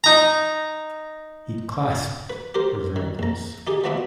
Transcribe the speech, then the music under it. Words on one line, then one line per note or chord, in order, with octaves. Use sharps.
He clasped her very close.
D#4 A#5
B4
G4 A#4 C5
D#3
A#1 A#5
D#4 G4 G#4
F3 F#3 B3 D4 E4 E5